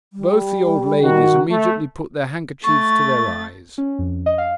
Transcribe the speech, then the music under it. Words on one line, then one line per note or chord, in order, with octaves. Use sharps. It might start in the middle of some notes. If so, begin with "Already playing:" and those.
Both the old ladies immediately put their handkerchiefs to their eyes.
G3
D#3 F#4
A3
A3 C#6 A6
C#4
F2
D#5
F5